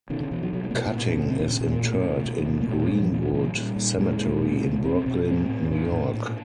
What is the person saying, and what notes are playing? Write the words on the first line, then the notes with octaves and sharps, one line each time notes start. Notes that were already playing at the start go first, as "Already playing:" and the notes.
Cutting is interred in Green-Wood Cemetery in Brooklyn, New York.
B2 D#3
D3
B2 E3
F#3
B2 F#3
G3
A#3
B2 A3
A#3
A#2 B3
D4
A#2 C#4
C4
A#2 D4
C#4
A#2 C#4
A#3
B2 A3
B2
B2
B2
A#3
A#2 A3
A3
A#2 G3
F3
A#2 E3
D#3
A#2 E3
F#3
A#2 G3
A#2
A#2 G#3
A#2
B2
B2
B2 C4
C4
B2 C4
A2 C4
A2
A2 D4
A2
A#2